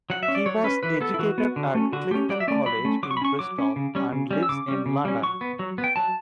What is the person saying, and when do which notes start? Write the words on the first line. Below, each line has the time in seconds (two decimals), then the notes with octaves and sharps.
He was educated at Clifton College in Bristol and lives in London.
0.10 F#3 F#5
0.23 E5
0.28 C#4
0.35 D5
0.46 F#3 C#5
0.64 C#4 B4
0.83 E3 B4
1.01 B3 A4
1.14 E4
1.19 E3 F#4
1.38 B3
1.56 D3
1.75 A3 C#4
1.93 D3 F#4
2.11 A3 C#4 G4
2.29 F#3 D5
2.40 E5
2.48 A3 C#4 D5
2.66 F#3 B5
2.85 A3 C#4
3.03 F#3 D6
3.11 C#6
3.17 B5
3.22 C#4 C#6
3.39 F#3 D6
3.58 C#4
3.76 C#3
3.95 G3 C#4
4.13 C#3
4.31 G3 C#4
4.43 E6
4.49 C#3 D6
4.68 G3 C#4
4.86 C#3
5.05 G3 C#4
5.22 F#3 C#6
5.41 B3
5.59 F#3
5.78 B3
5.84 G5
5.96 F#3 A5